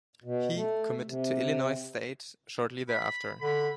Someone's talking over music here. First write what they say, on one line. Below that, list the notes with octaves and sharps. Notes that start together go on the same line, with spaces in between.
He committed to Illinois State shortly thereafter.
B2
A3
C3
B5
D3 B5